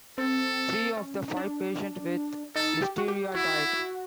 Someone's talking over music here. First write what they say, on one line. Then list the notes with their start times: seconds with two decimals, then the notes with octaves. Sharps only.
Three of the five patients with listeria died.
0.18 C4 A4
0.97 C#4
1.28 D#4
1.37 D4
2.56 D#4 A4
2.82 G4
2.98 F#4
3.08 G4
3.35 E4 F#4